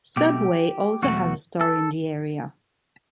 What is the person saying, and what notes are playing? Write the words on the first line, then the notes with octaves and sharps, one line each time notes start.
Subway also has a store in the area.
B1 B2 A3 G4
E2 B2 F#3 A3 F#4
A4